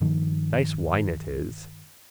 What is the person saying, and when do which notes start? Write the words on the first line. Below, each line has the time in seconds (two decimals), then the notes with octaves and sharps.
Nice wine it is.
0.01 G2 D#3 F3